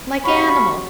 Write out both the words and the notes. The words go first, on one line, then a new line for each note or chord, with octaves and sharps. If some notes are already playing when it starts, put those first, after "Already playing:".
Like animals!
F#2 C#4 F#4 G4 F5 B5 C#6